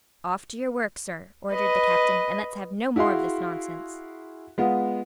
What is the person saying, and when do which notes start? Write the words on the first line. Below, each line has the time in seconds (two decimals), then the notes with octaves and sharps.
"Off to your work, sir," ordered the captain, "and let's have no more of this nonsense."
1.52 B4 D#5
2.96 E4 F#4 G#4 F5 C6
4.58 G#3 B3 F4